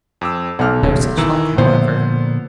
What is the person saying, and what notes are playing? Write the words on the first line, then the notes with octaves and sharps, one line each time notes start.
No such luck, however.
F2 D6 E6
B1 F#5 F6
D#1
D#3 E3 A#5 E6
A#2 D3 F3 B3 C5